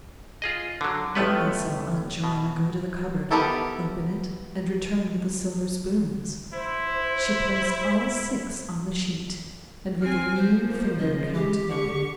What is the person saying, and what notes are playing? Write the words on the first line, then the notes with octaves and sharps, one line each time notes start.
Then they saw Aunt Joanna go to the cupboard, open it, and return with the silver spoons; she placed all six on the sheet, and with a lean finger counted them.
F4 G#4 D#5
D3 F#3
A1 A2 F3 A3 B3 B4
B2
B3 E4 G4 A4 A#4
E4 C5
C4 G#5 F6
F3 C5
A#3
C#3 D#5
G#3 G4
D3 C#6